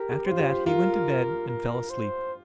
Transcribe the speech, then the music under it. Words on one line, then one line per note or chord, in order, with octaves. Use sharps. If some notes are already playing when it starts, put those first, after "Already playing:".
After that he went to bed and fell asleep.
Already playing: G4 A#4
G4
C5
F4
G4
F4 A#4
A#4
C5